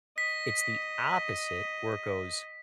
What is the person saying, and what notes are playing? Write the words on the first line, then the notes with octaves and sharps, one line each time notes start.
it's the opposite where it goes,
D#5 B6